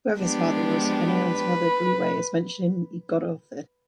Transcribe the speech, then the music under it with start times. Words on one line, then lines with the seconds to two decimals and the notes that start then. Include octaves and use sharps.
Whoever his father was, Aneirin's mother, Dwywei is mentioned in "Y Gododdin".
0.18 F3 G#3 B3 D4 G4
1.08 B4